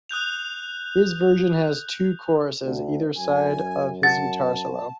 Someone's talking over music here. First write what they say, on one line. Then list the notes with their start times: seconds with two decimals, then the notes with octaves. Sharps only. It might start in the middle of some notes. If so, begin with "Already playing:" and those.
His version has two choruses either side of his guitar solo.
0.09 D#6 F#6 G6 F7
2.65 D2
3.16 F#2 G#5
4.03 F#5 A5 A6